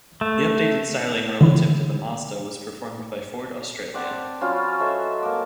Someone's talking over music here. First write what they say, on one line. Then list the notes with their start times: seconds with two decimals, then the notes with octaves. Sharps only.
The updated styling relative to the Mazda was performed by Ford Australia.
0.21 A3
1.41 D3 E3 E4
3.94 C4 D5 F#5 A5
4.41 F#3 C#4 F4 B5
4.79 A4 C5 D#5 E5
5.22 A#3 D6